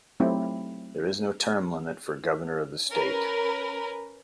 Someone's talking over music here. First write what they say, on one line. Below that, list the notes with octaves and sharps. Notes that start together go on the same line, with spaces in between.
There is no term limit for governor of the state.
F#3 A3 C4 D#4 E4 G4
C#4 A#4 B4